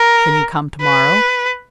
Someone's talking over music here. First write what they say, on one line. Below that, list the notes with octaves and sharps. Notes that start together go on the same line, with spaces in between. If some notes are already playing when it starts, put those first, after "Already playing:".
"Can you come to-morrow?"
Already playing: A#4
B4